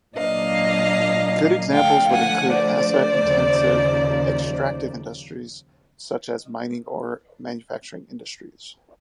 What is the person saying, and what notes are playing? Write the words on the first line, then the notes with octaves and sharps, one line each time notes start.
Good examples would include asset-intensive extractive industries such as mining, or manufacturing industries.
A#2 F#3 A#3 D4 D#5 F5
D3 F3 A3 F5 G5
F#5 G#5
C5 D5
D#2 C#3 F3